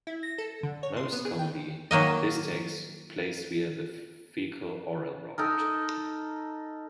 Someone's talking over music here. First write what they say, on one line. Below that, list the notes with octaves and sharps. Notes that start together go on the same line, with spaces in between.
Most commonly, this takes place via the faecal-oral route.
E4
A#6
A4
D3
C#5
C6
B3
G#4
G5
D#3 F#3 A#3 D#5
D#4 A4 A#4